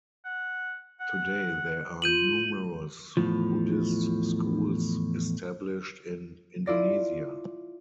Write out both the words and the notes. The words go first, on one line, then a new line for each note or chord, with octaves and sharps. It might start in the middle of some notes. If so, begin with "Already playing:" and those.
Today there are numerous Buddhist schools established in Indonesia.
F#5
F#5
F4 G6 D#7 F#7
E2 A2 F3
E4 F4 D5 A#6